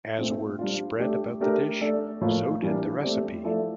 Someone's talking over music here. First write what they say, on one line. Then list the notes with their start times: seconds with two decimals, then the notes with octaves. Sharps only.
As word spread about the dish, so did the recipe.
0.18 A#2 A3 C4
0.59 G3 D4 F4
0.99 A3 D4 G4 D5
1.41 A3 D4 G4 A#4
1.81 A3 D4 A4 D5
2.21 A2 F3 A#3
2.62 E3 G3 A#3 D4
3.03 A3 C4 G4 D5
3.44 F3 A3 E4 A4 D5